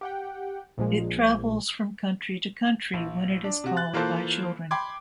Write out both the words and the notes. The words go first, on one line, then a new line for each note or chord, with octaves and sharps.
It travels from country to country when it is called by children.
G4 F#5 G5
A#1 A#2 F3 G#3
A#1
D4
C3 F#4
F#6 A6
E3 A#3 F4 A4 C5
G5 B5 C6 D6 G#6